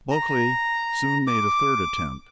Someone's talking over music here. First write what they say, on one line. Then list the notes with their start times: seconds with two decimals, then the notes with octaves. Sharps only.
Bulkeley soon made a third attempt.
0.11 A#5
1.27 D6